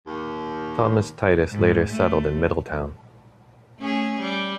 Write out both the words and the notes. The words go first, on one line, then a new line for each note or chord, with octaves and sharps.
Thomas Titus later settled in Middletown.
D#2
G#2
A3
A3 C#4 G#4
G3